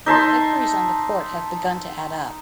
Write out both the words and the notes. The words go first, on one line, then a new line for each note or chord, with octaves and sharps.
The victories on the court have begun to add up.
D#4 E5 A5 C6